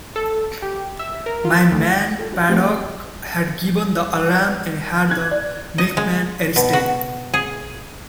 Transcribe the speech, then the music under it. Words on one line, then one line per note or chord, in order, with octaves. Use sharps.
My man Paddock had given the alarm and had the milkman arrested.
A4
G4
E5
A#4
F4
D2
F4 A4
B3 C#4 E4 F#4
A3 C4 D#4 F#4 G4 A4
D#3 E3
F#6 G#6
D5
D#5
G#3
B2
F#4
G#4